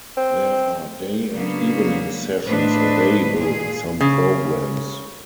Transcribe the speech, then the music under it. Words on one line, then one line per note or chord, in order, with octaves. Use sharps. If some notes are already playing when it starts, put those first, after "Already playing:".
There are day and evening sessions available in some programs.
C4
C#3 F#3 A#3 B3 D4
A2 A#3 D4 B4 C5 D#5
A#2 G#4
C#3